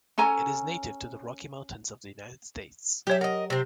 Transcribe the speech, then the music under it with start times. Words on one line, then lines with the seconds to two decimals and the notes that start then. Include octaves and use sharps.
It is native to the Rocky Mountains of the United States.
0.18 C#4 A4 G#5 A#5
3.07 F#3 G4 C#5 E5
3.21 A#4 D#5 F#5
3.50 C3 C4